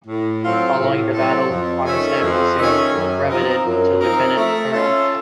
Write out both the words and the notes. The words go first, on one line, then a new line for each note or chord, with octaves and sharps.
Following the battle, Armistead was soon breveted to lieutenant colonel.
A2
F#3 C4 F4 A4
A2
F#3 C4 F4 A4
F2
D#3 A3 C#4
F2
D#3 A3 C#4
F#2
F3 C4 D#4 A#4
F#2
F3 C4 D#4 A#4
A3
C#4 F4 A4